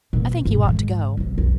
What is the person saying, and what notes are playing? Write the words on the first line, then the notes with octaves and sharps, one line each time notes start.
I think you ought to go.
B2 A#3
G#2 C3
G#2 D#3
F1 B1
B1 F2